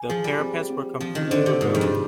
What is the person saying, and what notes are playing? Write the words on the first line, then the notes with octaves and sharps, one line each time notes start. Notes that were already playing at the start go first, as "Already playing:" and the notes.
The parapets were completely rebuilt.
Already playing: G#5
F3 G#4
G3
C4
C4
F3 C4
D#3
D3 C5
C3
G#2 D#4
F2
G2
D#4